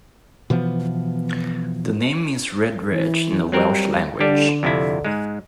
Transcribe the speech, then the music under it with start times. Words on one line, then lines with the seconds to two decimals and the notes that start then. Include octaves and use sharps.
The name means 'red ridge' in the Welsh language.
0.50 B2 E3 F3 B3
2.91 E3
3.52 F#3 G3 C4 A#4
4.20 D3 G3 D4 G4
4.63 F2 C3 E4
5.05 G#2 G#3